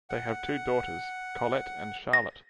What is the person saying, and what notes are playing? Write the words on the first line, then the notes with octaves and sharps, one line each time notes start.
They have two daughters, Colette and Charlotte.
F#5
A#6